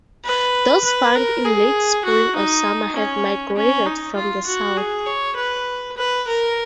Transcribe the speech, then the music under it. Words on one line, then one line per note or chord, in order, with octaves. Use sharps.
Those found in late spring or summer have migrated from the south.
B4
B4
A#4
G#4
F#4
D#4
C#4
C#4
D#4
F4
F#4
G#4
C#5
B4
B4
A#4